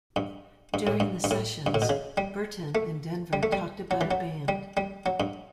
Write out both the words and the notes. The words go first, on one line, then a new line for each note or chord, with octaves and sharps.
During the sessions, Burton and Denver talked about a band.
G2
G2
A2
G2
G2
A2
G2
A2
B2
C#3
G3
A3
G3
A3
G3
F#3
E3
F#3
G3
G3
F#3
G2